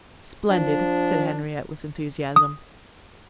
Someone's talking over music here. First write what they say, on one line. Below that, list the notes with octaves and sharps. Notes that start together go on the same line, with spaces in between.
"Splendid!" said Henriette, with enthusiasm.
F3 D4
D#6